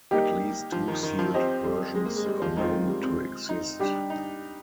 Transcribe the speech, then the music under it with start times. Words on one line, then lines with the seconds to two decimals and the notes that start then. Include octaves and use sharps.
At least two sealed versions are known to exist.
0.11 G3 A#3 D#4 G4
0.72 F3
0.88 D#3
1.03 D#3
1.19 F3
1.34 C4 G4 C5 D#5
1.64 G3
1.95 G#3
2.06 A#3
2.16 G#3
2.26 G3
2.42 F3
2.57 D#3 G#3 C4 F4
2.87 G3
3.02 C4
3.49 D#4
3.80 G3 D4 G4
4.10 D#4